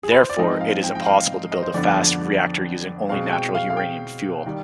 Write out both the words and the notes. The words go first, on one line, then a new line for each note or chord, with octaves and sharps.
Therefore it is impossible to build a fast reactor using only natural uranium fuel.
G#4
B4
C5
D5
G#2 F3 C4 D#4 D#5
F5
G5
G5
F5
D#5
C5
F2 D3 F3 B3 D4 D5
B2 G#3 C4 F5
G5
F5
F5
G5
D#3 G3